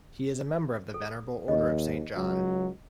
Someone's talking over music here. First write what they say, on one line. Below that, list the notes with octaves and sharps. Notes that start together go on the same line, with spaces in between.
He is a Member of the Venerable Order of Saint John.
A4
D#2 D#5
C#2 F#3